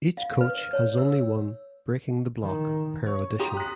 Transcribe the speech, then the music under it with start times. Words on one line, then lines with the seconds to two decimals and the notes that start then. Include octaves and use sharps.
Each coach has only one "Breaking The Block" per audition.
0.17 F5
0.41 B4
0.73 C#5
0.98 E6
2.42 D#3
3.07 C#5
3.39 G4 A#5 C6 D#6
3.56 F#6 B6